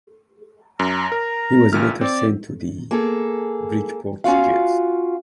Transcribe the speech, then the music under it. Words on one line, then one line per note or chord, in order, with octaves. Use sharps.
He was later sent to the Bridgeport Jets.
F#2 A#5
A#4
C#2 A#2 E5 F6
C4 D5
A#3 G#4 A4
C#4 F4 F#4 F5